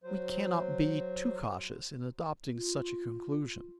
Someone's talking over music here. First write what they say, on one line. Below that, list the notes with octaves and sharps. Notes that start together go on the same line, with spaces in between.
We cannot be too cautious in adopting such a conclusion.
F#3 C5
F4